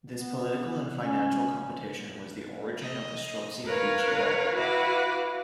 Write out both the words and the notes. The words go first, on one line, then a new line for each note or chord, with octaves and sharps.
This political and financial competition was the origin of the Strozzi-Medici rivalry.
B3
C#4
D#5
A#4 B4 C#5 F5
E4 F#4 B4 F5 D6